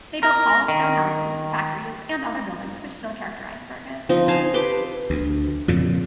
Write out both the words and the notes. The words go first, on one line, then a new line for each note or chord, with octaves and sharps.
They built solid stone houses, factories and other buildings which still characterize Fergus.
A#4
D#3
F3 C4 D#4
D#4 F5 G#5 A5
G4 B4 C6 D6
D2
F2 A#2 C#3